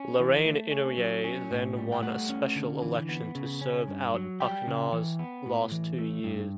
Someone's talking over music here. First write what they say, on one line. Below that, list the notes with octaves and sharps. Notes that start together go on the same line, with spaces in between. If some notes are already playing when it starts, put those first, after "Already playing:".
Lorraine Inouye then won a special election to serve out Akana's last two years.
Already playing: C#4
E3
A3
C#4
F#3
C#4
A2
G3
G5
A3 F#5
C#4
D3
E3
B3
C#3
C#4
G2
F#3
G3 G5
C#3
E3
B3
A2
E3
A3
G2